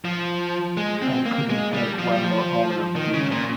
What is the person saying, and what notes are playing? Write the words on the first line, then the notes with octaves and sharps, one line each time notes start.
I couldn't take one more omen of doom.
F3
G#3
C4
A#3
G#3
G3
F3
G3
F3
D#3
C#3
A#2